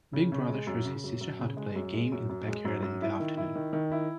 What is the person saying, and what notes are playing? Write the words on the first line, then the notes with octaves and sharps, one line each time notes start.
Big brother shows his sister how to play a game in the backyard in the afternoon.
C#3
C#3
G#3
F#2
C#3
F#2
F#2
C#3
G#3
F#2
G#3
F#2
F#2
G#3
F#2
F#2
E4
D#3
E4
D#3
D#3
E4